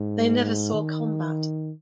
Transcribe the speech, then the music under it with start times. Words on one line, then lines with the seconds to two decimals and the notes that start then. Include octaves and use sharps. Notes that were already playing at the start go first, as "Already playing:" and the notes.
They never saw combat.
Already playing: G#2
0.74 D#3